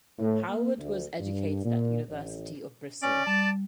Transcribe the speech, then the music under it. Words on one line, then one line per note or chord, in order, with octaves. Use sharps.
Howard was educated at the University of Bristol.
A2
A#3
D2
G2
A#2
A1
C#4 D5
G3 A5